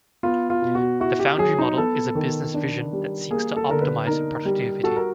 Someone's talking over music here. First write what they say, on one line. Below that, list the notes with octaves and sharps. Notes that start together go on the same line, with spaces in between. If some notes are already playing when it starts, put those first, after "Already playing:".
The foundry model is a business vision that seeks to optimize productivity.
B3 F4
F4
B2
F#4
E4 F#4
G4
F#3 G#4
D#4
B3 A4
D#3
D4
G3
A#3 G#4
A4
D3 A#4
B4
D#4 A#4
G3
F#4 A4
A#4